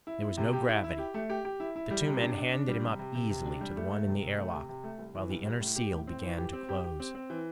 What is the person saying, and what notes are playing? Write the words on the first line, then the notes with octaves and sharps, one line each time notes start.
There was no gravity; the two men handed him up easily to the one in the airlock while the inner seal began to close.
E4
E4
C3
G4
E4
E4
G4
A3
G4
G4
E4
E4
G3
C3
D4
D4
D4
G3
C3
C3
C3
C3
D4
G3
A3
A3
C3
C3
A3
C3
C3
A3
C2
E3
C2
C2
A2
G4
A2
C4
E3
G4
C4
G4
G4
C4
C4
E3